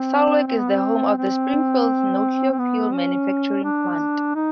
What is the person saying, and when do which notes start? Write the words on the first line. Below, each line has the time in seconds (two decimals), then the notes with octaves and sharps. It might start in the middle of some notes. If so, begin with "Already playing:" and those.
Salwick is the home of the Springfields nuclear fuel manufacturing plant.
Already playing: C4
0.47 C4
0.58 B3
0.69 C4
1.17 C4
2.52 C4
2.59 B3
2.94 C#4
3.64 D4
4.35 D#4